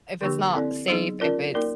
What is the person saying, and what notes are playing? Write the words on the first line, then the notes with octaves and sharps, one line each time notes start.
if it's not safe, if it's
D3 F3 A#3 D4 G4
C4 E4 A4 D5
F#3 B3 D#4 G#4
C#4 F4 A#4 D5
A#3 D#4 F#4 A#4 D5